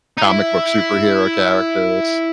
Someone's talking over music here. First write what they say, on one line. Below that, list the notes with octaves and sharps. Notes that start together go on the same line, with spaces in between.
comic book superhero characters.
D#4
E4